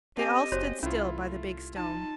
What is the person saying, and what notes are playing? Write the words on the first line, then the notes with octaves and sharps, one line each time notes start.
They all stood still by the big stone.
C4 G4 A4 D#5 G#5
F#1 F#4 C5 C#5
C2 A3 C#4 E4 F4
D#4 A5